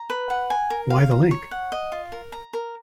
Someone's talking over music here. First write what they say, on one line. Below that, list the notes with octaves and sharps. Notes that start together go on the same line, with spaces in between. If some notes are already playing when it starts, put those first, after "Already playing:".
Why the link?
Already playing: A#5
B4
F#5
G#5
A#4
F5
A#5
C#5
F#5
D#5
F4
A#4
A#5
A#4